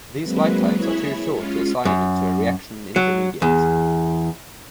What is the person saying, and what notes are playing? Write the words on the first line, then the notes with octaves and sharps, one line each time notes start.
These lifetimes are too short to assign to a reaction intermediate.
F#3 G#3 A#3 C4 B4
E4 G#4 C#5 E5 B5
G#3 C#4 F4
F#2
F#3
E2